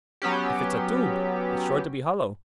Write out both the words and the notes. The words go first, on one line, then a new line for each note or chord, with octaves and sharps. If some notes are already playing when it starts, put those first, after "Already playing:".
"If it's a tube, it's sure to be hollow."
F#3 B3 C#4 G4